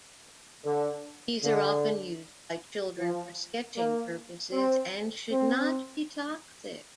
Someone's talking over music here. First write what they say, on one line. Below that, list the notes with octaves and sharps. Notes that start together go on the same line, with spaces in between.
These are often used by children for sketching purposes, and should not be toxic.
D3
D3
F3
A#3
C4
C4